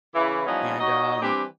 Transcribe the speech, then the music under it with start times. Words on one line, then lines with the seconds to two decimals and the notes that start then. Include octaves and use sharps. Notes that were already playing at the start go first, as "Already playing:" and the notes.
and, um,
0.15 C#3 E3
0.46 E3 F3 G3 B3 C#4 D#4
0.79 D#4 F#4 C#5 D#5
1.22 E3 G3 C4 D4 G4